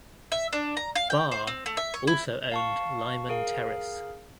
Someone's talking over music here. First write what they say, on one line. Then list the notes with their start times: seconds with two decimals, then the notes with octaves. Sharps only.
Barr also owned Lyman Terrace.
0.32 E5
0.53 D4
0.77 A#5
0.95 F5
1.10 G5
1.32 C5
1.47 C4
1.66 A3
1.77 E5
1.94 C#5
2.07 E4
2.52 F5 A5 C#6
3.29 G#4 A#4 F5